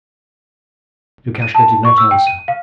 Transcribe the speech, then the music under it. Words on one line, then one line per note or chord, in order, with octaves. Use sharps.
Lukashka did not answer.
D#7
A5
C#6
E6
G5
D#7
F5